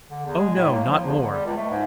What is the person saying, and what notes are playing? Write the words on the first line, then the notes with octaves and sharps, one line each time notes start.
"Oh, no, not more!"
D3
E2
G#3
A2
A#3
F3
E2
D3
G3
C#2
A3
G#2